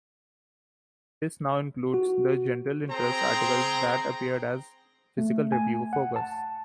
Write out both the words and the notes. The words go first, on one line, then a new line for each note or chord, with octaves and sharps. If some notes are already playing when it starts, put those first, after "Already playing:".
This now includes the general-interest articles that appeared as "Physical Review Focus".
F#4
C4 G#4 C5 G5 A#5
A3
G#5
F#5
A5